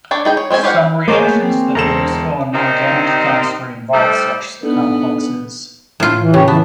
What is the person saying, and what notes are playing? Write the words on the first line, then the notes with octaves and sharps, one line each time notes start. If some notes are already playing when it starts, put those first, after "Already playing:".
Some reactions that are useful in organic chemistry involve such complexes.
D4 A4 C#5 D5
D#4 G#4 G5
C#5
G#3 C4 C#4 G#5
F4 G4 C#5 F5 F#5
A3 A#3 G#4 C5 C#5 A#5 D6
A3 B3 G6
C4
E1 A4 C5 A#5 E7
C3 D#3 G3 C4 D#4
G3 A3 D#4 A4 C5 D5
B3 D4 D#4 A4
A2 F4
E3
C#3 G4 C#5
E3 B3 A5